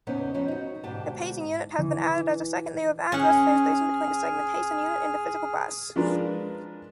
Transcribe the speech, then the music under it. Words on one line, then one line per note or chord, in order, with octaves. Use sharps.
A paging unit has been added as a second layer of address translation between the segmentation unit and the physical bus.
E2 C#3 B3 C#4 D#4 C5
F3 B3 C#4 D#4
D#4 F#4
D2 G#2 B2 G4 A5
E3
C#4 G#4 F#5 F6
F3 G#3 D4 F4 A#4 B4